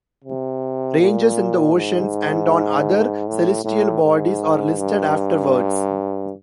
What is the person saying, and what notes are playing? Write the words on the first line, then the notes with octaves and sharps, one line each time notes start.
Ranges in the oceans and on other celestial bodies are listed afterwards.
C3
A#2
G#2
A2
A2
G#2
G2